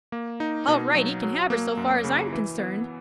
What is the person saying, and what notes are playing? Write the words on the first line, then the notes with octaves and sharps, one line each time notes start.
All right, he can have her so far as I am concerned.
A#3
D#4
B2
F#3
F#3
A#3
F#2
C#3
E3
B3